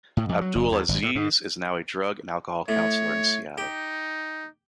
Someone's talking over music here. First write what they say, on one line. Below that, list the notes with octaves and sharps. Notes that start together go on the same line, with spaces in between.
Abdul-Aziz is now a drug and alcohol counselor in Seattle.
A2
F2
F#3
F#1
E2
G#1
A2
G#2
A2 C#5
D#4 G4